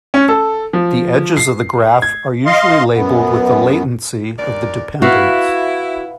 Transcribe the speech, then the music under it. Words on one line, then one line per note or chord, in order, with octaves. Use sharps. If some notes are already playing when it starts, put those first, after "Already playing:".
The edges of the graph are usually labelled with the latency of the dependence.
C#4
A4
F3
C7
G#6
D#5 F5 C6
F#2 B3
D#2 A#4 D5
E4 F#4 B4 E5 F5